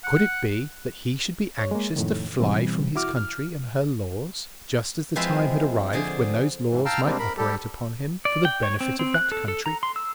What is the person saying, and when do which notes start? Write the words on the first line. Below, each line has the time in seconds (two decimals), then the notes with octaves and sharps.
Could it be that he should be anxious to fly from his country and her laws, just as the time had arrived when those laws might operate upon him for the benefit of that country?
0.04 F#5
1.59 C#5
1.71 G#3 A#3
1.96 F2 A2 D#3
2.40 B2 E3 G3 C4
2.96 E4 F#4 D6 F6
3.17 F6
5.16 F3 G#3 C4 E4 B4 E5
5.93 D3 F3 G#4
6.71 G#2 E3
6.85 F5 G5 A5 A#5 E6 F6
7.05 C3 G3 G#3 A#3 C4 D4
7.19 A#4 B5
7.38 G3 G4 A4
8.25 D5
8.45 G5
8.63 C#5
8.81 C4
8.99 C4
9.14 F#6
9.32 A4
9.48 A4
9.66 A#5
9.83 C6
9.96 E6